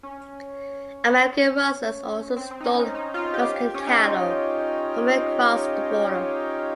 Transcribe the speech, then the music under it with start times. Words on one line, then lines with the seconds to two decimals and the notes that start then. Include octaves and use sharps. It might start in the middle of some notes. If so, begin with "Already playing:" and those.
American rustlers also stole Mexican cattle from across the border.
0.03 C#4
2.37 C4
2.51 C4
2.60 D#4
2.66 C#4
2.80 D#4
2.95 D#4
3.14 F4
3.34 G4
3.74 C#4
3.87 D#4
3.99 F4